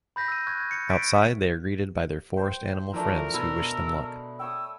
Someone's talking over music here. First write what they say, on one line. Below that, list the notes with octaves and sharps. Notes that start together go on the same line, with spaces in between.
Outside they are greeted by their forest animal friends who wish them luck.
B5 G6 A#6 B6
E6 D#7
C#6 F#6 G#6
G#6
C#7
C#6 A6 B6 D7
C5 G5
E3 F3 A3 D4 A#4 E6
B2 B5 E6
C#5 G5 C#6 D#6 E6